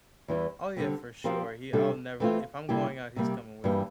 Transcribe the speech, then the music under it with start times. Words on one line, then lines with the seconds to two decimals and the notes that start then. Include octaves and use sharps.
Oh, yeah, for sure; he I'll never if I'm going out, he's coming with me.
0.28 E2 E3 G3
0.77 D3 G3 C4
1.24 F3 C4 G4 A#4
1.73 C3 G3 D4 A4
2.20 E3 A3 C4 F4
2.69 C3 G3 A#3 E4 G4
3.16 C3 G3 A#3
3.64 G2 E3 G3 A#3